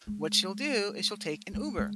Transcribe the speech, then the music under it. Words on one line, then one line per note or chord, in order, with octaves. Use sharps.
What she'll do is she'll take an Uber.
G#3
G#3
G#3